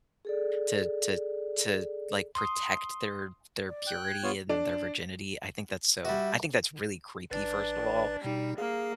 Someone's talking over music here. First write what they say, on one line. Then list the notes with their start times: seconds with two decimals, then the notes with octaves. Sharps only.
to to to, like, protect their their purity and their virginity. I think that's so I think that's really creepy, first of all,
0.25 G#4 A4 D5
2.35 C6 D#6
3.68 D5
3.87 G5 F#6
4.03 G#6
4.23 B3 F4 C#5
4.49 D4
6.05 G3 F#4 E5
7.31 A1 D4 B4 A6
8.24 B2 G3 D#4
8.58 A#3 G#4 F5